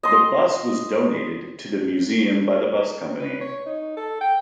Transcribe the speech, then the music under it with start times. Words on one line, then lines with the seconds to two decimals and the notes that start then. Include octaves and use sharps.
The bus was donated to the museum by the bus company.
0.03 D#5 C6
3.19 B4
3.41 C#5
3.66 D#4
3.97 A4
4.21 G5